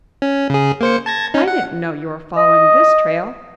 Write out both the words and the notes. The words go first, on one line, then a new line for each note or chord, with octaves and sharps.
I didn't know you were following this trail.
C#4
C#3 G#4
A#3 C5 C#7
A5 G#6 A#6
C#4 D#4
F#5
D#5